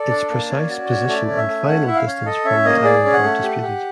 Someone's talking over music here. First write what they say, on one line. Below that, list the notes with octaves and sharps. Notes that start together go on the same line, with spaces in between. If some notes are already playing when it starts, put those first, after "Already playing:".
Its precise position and final distance from the island are disputed.
Already playing: A4 D5
D4
A#3
C#4
F#4
C#4
A3 D5
C#4
E5
A3
C#4 F#5
E4 E5
F5
C#4
A4 D#5
C#4 E5
A#3 D#5
G#4 D5
C#4
F#5
A3
G4
G4